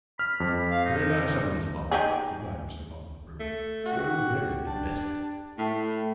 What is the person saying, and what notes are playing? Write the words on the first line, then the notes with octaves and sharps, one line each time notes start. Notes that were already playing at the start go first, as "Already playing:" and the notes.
'Very nice animals, ma'am,' replied Mr. Bumble, approvingly; 'so very domestic.'
B5 F6
F2
F5
D#4
D#4 G4 G#4
A3
F#4 G4
D4
A2 A3